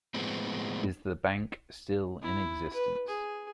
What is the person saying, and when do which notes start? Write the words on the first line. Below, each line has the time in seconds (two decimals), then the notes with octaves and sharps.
Is the bank still in existence?
0.14 A2 F3 G#3 B3 C4
2.22 E4
2.73 B4
3.08 G#4